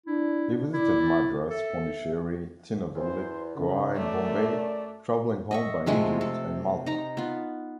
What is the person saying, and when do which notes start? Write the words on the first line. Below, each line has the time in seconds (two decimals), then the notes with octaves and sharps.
He visited Madras, Pondicherry, Tinnevelly, Goa and Bombay, travelling home by Egypt and Malta.
0.06 D4 E4
0.74 E4 D5
1.00 A6
1.50 A4 E5
2.95 E2 C5
3.55 F#2 C#3
3.96 A3 D5
5.51 D#5 E5 C#6
5.86 C3 F3 G#3 A3
6.21 A4
6.86 D#4 A#5
7.17 B3 F4